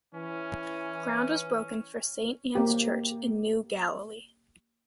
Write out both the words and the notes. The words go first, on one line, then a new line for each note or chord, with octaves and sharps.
Ground was broken for Saint Ann's Church in New Galilee.
E3 C#4
A#3 G4